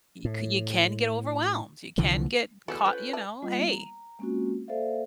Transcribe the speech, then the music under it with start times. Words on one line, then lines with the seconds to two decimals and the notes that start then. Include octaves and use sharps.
you c you can get overwhelmed, you can get caught you know, hey,
0.25 A2
1.98 C2 D3 E3 F3
2.68 E3 F#3 B3 F#4 G#4 A4 D5
2.85 C#4 F4 B4 C5 G5
3.13 D5 E5 A5
3.42 G3 A#3 B3 F4 D#5
3.70 A#5
4.19 G#3 A#3 C4 C#4 F4 F#4
4.68 A#3 A4 C5 D5 E5 F5